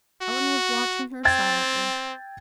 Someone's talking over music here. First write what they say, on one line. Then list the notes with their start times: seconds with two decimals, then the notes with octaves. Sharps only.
Ellen was watching her silently.
0.22 F#4
1.25 C4 G5 G#6 A6